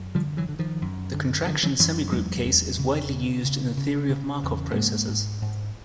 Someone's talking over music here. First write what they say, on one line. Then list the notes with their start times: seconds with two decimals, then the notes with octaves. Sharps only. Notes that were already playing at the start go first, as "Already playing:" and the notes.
The contraction semigroup case is widely used in the theory of Markov processes.
Already playing: F#2
0.15 D3 F3 G3
0.37 E3 F#3
0.49 D3
0.59 D#3 F3
0.82 F#2
1.14 D3
1.46 D3 D#3 F3
1.63 E3 F#3
1.79 F#2 E3 F#3
2.12 E2 F#3 G#3
2.45 E2
2.79 C#3
3.11 C#3
3.45 C#3
3.77 C#3
4.10 C#3
4.43 E2
4.75 G#2 G#3 A#3
5.08 G#2
5.41 G#2